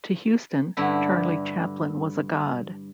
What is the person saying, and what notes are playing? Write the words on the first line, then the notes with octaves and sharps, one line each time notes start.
To Huston, Charlie Chaplin was a god.
G2 D3 E4